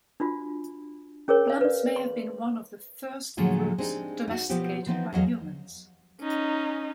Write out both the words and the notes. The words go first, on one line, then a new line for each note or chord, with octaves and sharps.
Plums may have been one of the first fruits domesticated by humans.
D4 F4 F#4
C#4 G#4 A#4 C#5
C#5 F5
B4 D5
C6
A2 D3 F3 F#3 G#3 A#3
G#3 C4 D4 D#4 G4
D#4 F#4
B2 F3 B3 C4 F4 G4
E3 F3 B3 C4 D#4
E2 F#3 A#4 D#5 F5
C#4 D#4